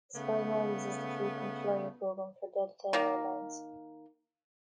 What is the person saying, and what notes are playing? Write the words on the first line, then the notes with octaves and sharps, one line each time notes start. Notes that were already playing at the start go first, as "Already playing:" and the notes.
SkyMiles is the frequent flyer program for Delta Air Lines.
C#3 A3 B3
D#3 A#3